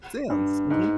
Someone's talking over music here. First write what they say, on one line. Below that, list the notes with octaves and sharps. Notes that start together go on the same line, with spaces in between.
Sims, mhm.
G2
G#2